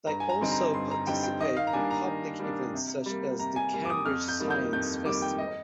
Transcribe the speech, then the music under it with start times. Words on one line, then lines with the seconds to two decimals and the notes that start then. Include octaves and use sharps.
They also participate in public events such as the Cambridge Science Festival.
0.07 G2 A#5
0.20 G#5
0.29 A#5
0.41 D3 G3 C4 D#4
0.52 A#5
0.74 G2 C6
0.91 A#5
1.07 D3 G3 C4 D#4 G5
1.23 G5
1.40 D#3 D#5
1.57 F5
1.67 A#5
1.73 G3 A#3 D4 G#5
1.91 A#5
2.06 D#3
2.39 G3 A#3 D4
2.73 C3
3.06 G3 A#3
3.39 C3 A#5
3.56 G#5
3.73 G3 A#3
3.85 D6
3.90 D#6
4.05 F2 F6
4.28 G6
4.39 D#3 G3 A#3
4.50 G6
4.73 F2 G6
5.05 D#3 G3 A#3 D6
5.22 G5
5.38 D#5